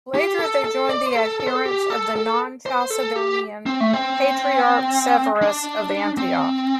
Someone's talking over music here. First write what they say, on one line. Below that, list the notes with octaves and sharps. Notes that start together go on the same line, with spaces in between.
Later, they joined the adherents of the non-Chalcedonian Patriarch Severus of Antioch.
G4
A4
A4
D5
C5
A4
A4
C5
A4
G4
A4
A4
C5
A4
G4
C4
A3
C4
D4
C4